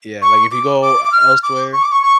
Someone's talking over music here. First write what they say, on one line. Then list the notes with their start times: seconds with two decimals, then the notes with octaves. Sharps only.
Yeah, like, if you go elsewhere
0.22 C#6
0.51 D6
0.82 D6
1.04 D6
1.12 F6
1.43 D6
1.73 C#6
1.82 D6
1.92 C#6
2.03 C#6